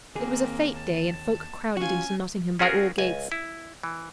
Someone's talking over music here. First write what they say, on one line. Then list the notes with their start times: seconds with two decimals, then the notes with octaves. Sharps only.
It was a fete-day, and folk crowded into Nottingham by all gates.
0.15 D#2 A#3 C4 G#4
0.77 A5
1.77 C#4 F4 F#4 G#5
2.59 C#4 F4 F#4 G#4 A#4
2.98 C#2 G#5
3.32 E4
3.83 E3